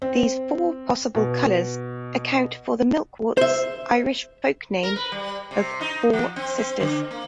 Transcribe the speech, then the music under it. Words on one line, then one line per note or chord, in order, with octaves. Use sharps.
These four possible colours account for the milkworts' Irish folk-name of 'four sisters'.
C4
B2
C5 E5
A#4
B4
G3
C3
D#4
F3
C4
C4
D3
A#3